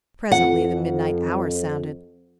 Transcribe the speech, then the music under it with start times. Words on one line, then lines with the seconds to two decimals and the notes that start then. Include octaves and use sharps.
Presently the midnight hour sounded.
0.32 F2 F#5